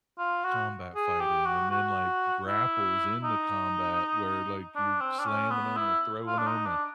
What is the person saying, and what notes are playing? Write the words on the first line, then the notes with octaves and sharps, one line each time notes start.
combat fighting and then, like, grapples in the combat where, like, you're slamming 'em or throwing 'em, uh,
F4
F#4
G#4
G4
F#4
F#4
E4
D#4
D4
C4
D4
C#4
B3
E4
F4
D4
D#4
D4